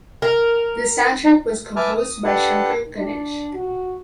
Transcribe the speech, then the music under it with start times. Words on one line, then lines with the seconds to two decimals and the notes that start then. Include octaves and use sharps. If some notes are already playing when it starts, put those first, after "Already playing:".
The soundtrack was composed by Shankar–Ganesh.
0.22 A#4
1.76 B4 E5 G#5 A5 D6 F6
1.97 D#6
2.24 D4 G4 A4 B4 F#5 A5
2.97 D4
3.53 F#4